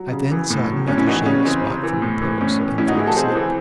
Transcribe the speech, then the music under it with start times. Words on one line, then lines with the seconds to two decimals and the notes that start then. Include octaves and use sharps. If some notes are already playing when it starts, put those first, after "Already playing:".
I then sought another shady spot for repose, and fell asleep.
Already playing: F#3
0.12 C#3
0.31 E3
0.50 A2
0.70 F#3
0.87 A2 C#4
0.98 C#4 E4
1.07 E3 D#4 F#4
1.26 C#3 C#4
1.45 E3 C4
1.64 C3 C4
1.83 E3
2.02 A2
2.22 E3
2.41 A2 C#4
2.60 E3
2.78 A2 C#4 E4
2.88 D#4 F#4
2.97 E3 E4 G#4
3.07 F#4 A4
3.17 C3 G#4 C5
3.35 E3